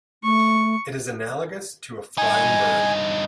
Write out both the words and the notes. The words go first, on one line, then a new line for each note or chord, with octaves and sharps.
It is analogous to a flying bird.
A3 C#6
G2 D#4 G#5